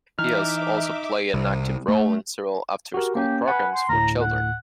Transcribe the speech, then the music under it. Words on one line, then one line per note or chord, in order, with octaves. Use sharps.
He has also played an active role in several after-school programmes for children.
E3 D#4 E5 D6 F6
C2
A3
F#4 G4 A#4
A#3 C#4 G4
B4 F#5 G#5
C6
D2 A2 A#5
F#5